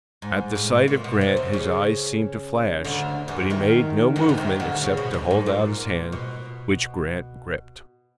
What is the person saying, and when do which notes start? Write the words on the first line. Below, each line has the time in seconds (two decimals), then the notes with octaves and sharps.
At the sight of Grant his eyes seemed to flash; but he made no movement except to hold out his hand, which Grant gripped.
0.22 G#2
0.55 A2
0.88 A#2
1.04 B2
1.21 C3
1.37 C#3
1.53 C#3
2.84 D2 D3
3.28 E2 E3
3.50 D#2 D#3
4.16 D2 D3
4.29 E3
4.37 D#2 D#3
4.60 D2 D3
4.81 C#3
4.97 B2
5.13 F#2
5.31 G#2
5.46 A#2
6.12 B2